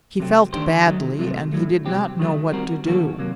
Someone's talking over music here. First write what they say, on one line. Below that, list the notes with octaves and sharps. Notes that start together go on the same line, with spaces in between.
He felt badly, and he did not know what to do.
C3 F#3 A3 C4
D#3 A3 D4 G4 C5
D#3 F#3 A3 D#4
C3 F#3 A3
A2 F#3 A3
C3 F#3 C4 G4
D#3 F#3 A3
G3 C4 F#4 A#4
D#3 G3 A#3 F#4 A4
C3 F#3 A#3